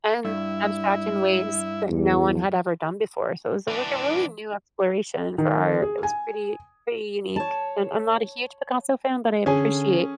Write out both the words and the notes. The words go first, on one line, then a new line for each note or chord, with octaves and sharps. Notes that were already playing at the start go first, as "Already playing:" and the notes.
And abstract in ways that no one had ever done before, so it was a like, a really new exploration for art. It was pretty, pretty unique, and I'm not a huge Picasso fan, but I appreciate
G2 E4
E2
E3 D4
D#3
G#4
G#5
C#5 A5
D3 C#4 G#4 G#5